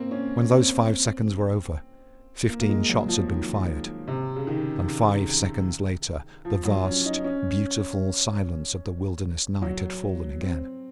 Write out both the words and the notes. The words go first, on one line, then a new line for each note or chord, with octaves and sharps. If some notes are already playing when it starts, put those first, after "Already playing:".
When those five seconds were over fifteen shots had been fired, and five seconds later the vast, beautiful silence of the wilderness night had fallen again.
Already playing: A#3 C4
C#4
C4
A#3
A#3
G#3
F#3
F3
D#3
C3
C#3
D#3
F3
F#3
C#4
D#4
C#4
F#3
C4